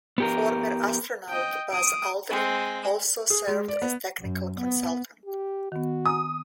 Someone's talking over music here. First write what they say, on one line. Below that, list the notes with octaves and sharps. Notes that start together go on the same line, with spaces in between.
Former astronaut Buzz Aldrin also served as technical consultant.
B3 G4 A#4
D#5 G5
D#6 D7
G#3 C4
G#4
G#3
D5
B3
F#2
B3
G4
D#3 B3 F#4
G#5 A#5 D#6 E6